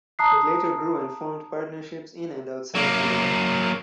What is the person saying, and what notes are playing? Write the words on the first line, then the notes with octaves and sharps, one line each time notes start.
It later grew and formed partnerships in and outside Canada.
A5 A#5 D#6 F#6 C7
F#3 A#3